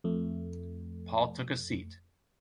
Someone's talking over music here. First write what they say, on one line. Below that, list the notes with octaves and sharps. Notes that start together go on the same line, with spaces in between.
Paul took a seat.
F2 A3